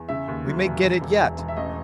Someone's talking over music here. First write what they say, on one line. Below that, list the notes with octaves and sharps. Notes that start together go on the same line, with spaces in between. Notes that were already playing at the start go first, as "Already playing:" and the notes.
"We may get it yet!"
Already playing: E2
C#3 E5
D#2
F#3
E1
E1
E1
E1
E1
E5
A1 D#5